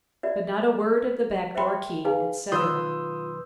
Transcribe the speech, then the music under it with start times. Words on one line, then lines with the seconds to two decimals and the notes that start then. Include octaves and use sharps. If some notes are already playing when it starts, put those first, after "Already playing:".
But not a word of the back-door key, etc.'
0.23 F#4 D5 E5
1.55 C5 E5 F#5 G5 B5 C6
2.04 D#4 G#4 B4 F5 G#5
2.52 B1 D#3 F4 B4 C6 D#6 E6 G6